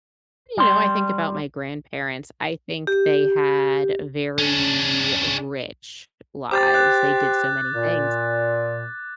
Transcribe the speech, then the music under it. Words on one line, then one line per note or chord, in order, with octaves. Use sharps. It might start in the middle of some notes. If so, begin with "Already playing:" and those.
You know, I think about my grandparents. I think they had very rich lives. They did so many things
G3 C6
G4
C#4 D4
G4 C5 D6 G6 A6
F#6
A#2